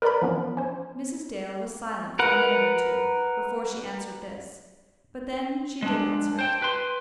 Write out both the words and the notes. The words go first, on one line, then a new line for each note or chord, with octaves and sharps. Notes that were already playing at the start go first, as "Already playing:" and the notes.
Mrs. Dale was silent for a minute or two before she answered this, but then she did answer it.
A#4 B4 D5 A#5 B5
E3 F3 B3 C#4
C#4 C5
A#4 B4 F#5
G#3 D4
C5 G5
B4 C6